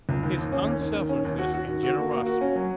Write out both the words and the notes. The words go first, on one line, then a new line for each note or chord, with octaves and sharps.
His unselfishness and generosity?
C#2
D#2
D#2
C#4
D#2
D#3
D#3
C#4
D#2
F#4
F#4
D#3
F#4
A#3
A#3
F#4
C#4
F#3